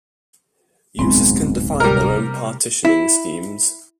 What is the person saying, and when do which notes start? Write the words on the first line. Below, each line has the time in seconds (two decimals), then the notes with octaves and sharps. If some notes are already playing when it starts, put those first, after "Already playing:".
Users can define their own partitioning schemes.
0.99 D1 B1 G#2 G#3 B3 C4
1.80 C3 G3 A#4
2.85 E4